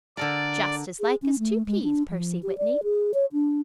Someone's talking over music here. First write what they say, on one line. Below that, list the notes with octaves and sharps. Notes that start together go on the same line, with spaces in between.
"Just as like as two peas, Percy Whitney."
D3 A4 A#4 D5
G#4
C#4
A3
G#3
D4
F3
G4
D5
G#4
C#5
D4